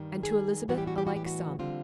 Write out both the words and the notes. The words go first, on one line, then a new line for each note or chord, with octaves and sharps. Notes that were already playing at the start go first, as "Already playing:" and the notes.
"And to Elizabeth a like sum."
Already playing: G2 D#3 G3
G#4
A2 E3 G3 B3 F#4
G4
F#4
G4
F#4
G4
F#4
D3 G3 C4 F4